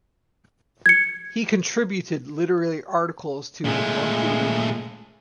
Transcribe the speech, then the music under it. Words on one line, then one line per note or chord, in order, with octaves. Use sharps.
He contributed literary articles to "The Monthly Review".
G#6 C#7
A#2 G#3 A3